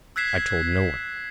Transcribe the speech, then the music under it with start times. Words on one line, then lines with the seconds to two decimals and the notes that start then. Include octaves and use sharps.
"I told no one."
0.16 E6 F#6 G#6 B6 C7 E7